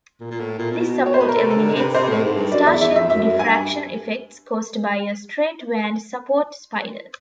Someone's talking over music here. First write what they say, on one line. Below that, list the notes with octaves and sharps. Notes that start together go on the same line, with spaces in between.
This support eliminates the "star-shaped" diffraction effects caused by a straight-vaned support spider.
A#2
A#2
A2
A#2
A#2
B2
C#5
C5
B4
A#4
C3 A4
A4
D3
A#4
C3 B4
C3 C5
A2
G#2
G2
F#2 D5
E2 E5
E2 E5
F2 E5
F#2 E5
G2 G#5